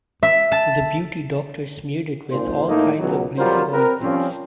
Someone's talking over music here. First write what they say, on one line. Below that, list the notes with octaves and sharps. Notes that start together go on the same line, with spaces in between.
The beauty doctors smeared it with all kinds of greasy ointments.
E5
A5
G#1 A#2 C5
A2 A3 A#3 D#4
C#2 B2 F#3
F2 F#3 G3 F4 A#4 C5
C4 A#4 B4
F3 G3 C4 C#4